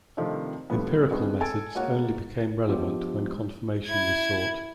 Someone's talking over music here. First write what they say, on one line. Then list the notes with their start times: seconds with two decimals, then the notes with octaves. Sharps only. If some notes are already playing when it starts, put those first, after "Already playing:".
Empirical methods only became relevant when confirmation was sought.
0.17 C3 D#3 F3 A3 C4 D4
0.70 D#2 A2 D3 F3 G3 B3
1.11 G#3 B3 C4 D4 F#4 G#4
1.41 A4 G#5 E6 A6 D7
1.75 G#3 A#3 F#4 C#5 F#5
2.68 F3 G#3 B3 D4 F4 G4
3.88 E4 G#6